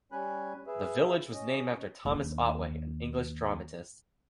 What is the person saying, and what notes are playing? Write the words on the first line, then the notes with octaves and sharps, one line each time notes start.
The village was named after Thomas Otway, an English dramatist.
G3 C#4 G#5 B5 F#6
G#4 B4 E5
C#4 D#5
D#2 D4